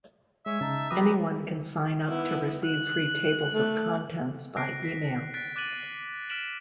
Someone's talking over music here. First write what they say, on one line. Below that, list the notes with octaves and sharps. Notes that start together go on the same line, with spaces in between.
Anyone can sign up to receive free tables of contents by email.
G#3 C#5 E5 G#5
C#3 D#4 A5
F3 G4 B4 A#5 D#6
B3 E4
F#6
A3
F#6 A#6 C7 D7
B6 C7
F#6 A6 B6 D7
D6 F#6 A6 D#7 F#7
F6 B6 D7 E7 F#7